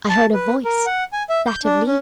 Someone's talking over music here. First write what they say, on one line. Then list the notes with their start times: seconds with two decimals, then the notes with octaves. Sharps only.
I heard a voice, that of Leo.
0.09 A5
0.33 B4
0.65 A#4
0.86 F#5
1.13 G#5
1.30 E5
1.46 G6
1.64 D4
1.87 C#4